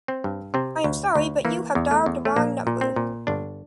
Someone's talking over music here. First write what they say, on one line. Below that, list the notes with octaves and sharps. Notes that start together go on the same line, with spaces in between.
I am sorry, but you have dialed the wrong number.
C4
G2
C3 C4
D2
D2
E3 A#3
E2
A3
E2
A3
A#1 A#3
A#2
C4
A#2
G1 D4